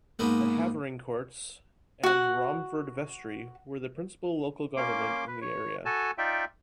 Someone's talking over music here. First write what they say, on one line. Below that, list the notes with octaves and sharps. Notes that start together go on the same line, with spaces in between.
The Havering courts and Romford vestry were the principal local government in the area.
G#2 A#3 B3
F#4 F#5
A#3 C#4 C6 D6
B4
C#5
F#4 A4 G#5 A5
D#4 F4 D5 E5 G5